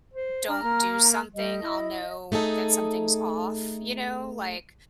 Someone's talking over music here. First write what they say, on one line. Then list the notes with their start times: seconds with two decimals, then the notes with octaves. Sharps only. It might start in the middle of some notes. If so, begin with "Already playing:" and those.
don't do something, I'll know that something's off, you know? Like,
0.14 C5
0.49 D4 A#5 F6
0.63 A#3
1.35 G3 D#5
1.63 E4
2.32 A3 D#4 G#4 A4